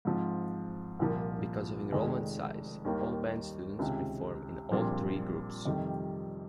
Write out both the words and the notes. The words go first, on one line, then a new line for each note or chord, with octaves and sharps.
Because of enrollment size, all band students perform in all three groups.
G#2 F3 C4 F4
C2 A#2 F3 A#3
F1 F2 D#3 G#3
D#2 D#3 G3 A#3
C#2 C3 D#3
A#1 A#2 G3 C4 F4
F2 C3 D#3 G3